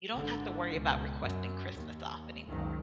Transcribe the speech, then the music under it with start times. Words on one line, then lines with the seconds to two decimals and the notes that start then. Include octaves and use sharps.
you don't have to worry about requesting Christmas off anymore.
0.13 G#1 D3
0.73 C#2 B2
1.19 F#2
1.76 D#2
2.45 F#1 C#2 D#3 F#3